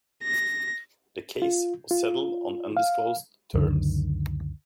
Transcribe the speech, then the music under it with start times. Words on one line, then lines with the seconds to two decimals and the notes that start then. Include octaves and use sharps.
The case was settled on undisclosed terms.
0.24 A#6
1.42 F4
1.91 F4
2.77 F5
3.54 C#2 F#2 D3 D#3